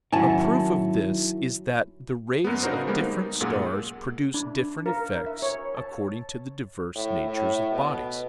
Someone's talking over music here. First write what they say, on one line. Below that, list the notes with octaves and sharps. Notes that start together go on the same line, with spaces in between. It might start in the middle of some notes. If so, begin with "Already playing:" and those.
A proof of this is that the rays of different stars produce different effects according to the diverse natures of bodies.
F#2 D#3 E4 F#4 G#5 A5
F#2 B3
C#3 D4 D#4 F#4 A#4 C5
G3 G#3 A#3 B3
D#4
F#2 A#2 G#3 A#3 G#4 F#5
D4
A#4
E5
C#5
A5
A2
A2
B2